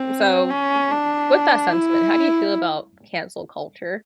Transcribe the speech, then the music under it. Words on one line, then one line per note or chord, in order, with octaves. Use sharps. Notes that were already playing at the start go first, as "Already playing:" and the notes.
So, w w with that sentiment, how do you feel about cancel culture?
Already playing: C4
C#4
D4
E4